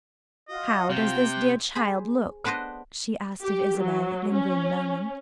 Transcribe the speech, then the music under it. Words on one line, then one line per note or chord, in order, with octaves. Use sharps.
"How does this dear child look?" she asked of Isabel, lingering a moment.
F4 F#4 D#5
C3 G5
F#6
G#4 C5 B5
B3 D4 B4 C5 D#5
G4
F#3
C#4